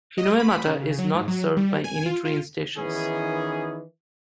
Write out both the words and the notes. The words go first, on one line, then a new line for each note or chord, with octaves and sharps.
Hinoemata is not served by any train stations.
D#5
B5
C#3
F#3
G#2
F#3
G3
G#5
F4
F4
D#3 E3 B3 C#4 G#4